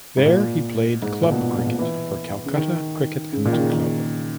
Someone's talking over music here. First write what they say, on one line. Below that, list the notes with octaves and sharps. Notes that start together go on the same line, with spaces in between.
There he played club cricket for Calcutta Cricket and Club.
G#2
A#2
G#2
A#2
B2
A#2
A#2
A#2
E3
C#3
D#3
C#3
A#2
D#3
C#3
D#3